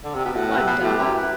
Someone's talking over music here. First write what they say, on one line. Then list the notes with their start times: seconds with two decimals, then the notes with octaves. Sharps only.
"Why, madame?"
0.04 D3
0.15 C3
0.25 B2
0.35 A2 F#5
0.52 B4
0.57 C3
0.67 B2 B4
0.83 A2 G4
0.99 F#2 E4
1.15 B4